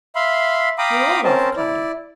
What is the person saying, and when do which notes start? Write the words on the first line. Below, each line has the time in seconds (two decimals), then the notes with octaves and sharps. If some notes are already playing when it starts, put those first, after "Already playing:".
You're all off, Cloudy.
0.16 E5 F5 B5 C6
0.78 F5 G5 A#5 B5 D6 D#6
1.24 C4 C#4 A#4 C5 A5
1.56 E4 D5